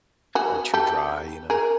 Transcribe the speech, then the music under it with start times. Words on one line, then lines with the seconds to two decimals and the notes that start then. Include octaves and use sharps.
or too dry, you know?
0.35 F#4 G#4
0.74 G4 A4
1.50 G#4 A#4